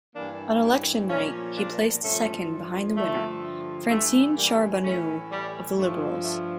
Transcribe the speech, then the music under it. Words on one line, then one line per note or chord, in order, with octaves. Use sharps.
On election night, he placed second behind the winner, Francine Charbonneau of the Liberals.
G2 E3 A#3 D4
G3 A#3
A#2 F3 A3 C#4
A#3 D4
G2 F3 A3 C#4
G2 D3 F3 A3
G2 E3 A3
G3 A#3
A2 E3 A3 C#4
G3
G2 F3 A3
A3